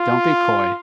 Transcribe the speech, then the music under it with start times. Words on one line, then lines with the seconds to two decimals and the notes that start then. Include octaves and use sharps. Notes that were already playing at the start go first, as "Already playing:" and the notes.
don't be coy.
Already playing: F4